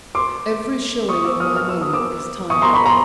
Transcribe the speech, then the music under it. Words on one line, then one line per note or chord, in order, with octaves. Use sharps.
Every shilling of my money is tied up.
C6 D6
C#6 D#6
D6 E6
D#6 F6
F6
E6
D#6
D6 E6
C#6 D#6
A#5 C6
B5 C#6
A#5 C6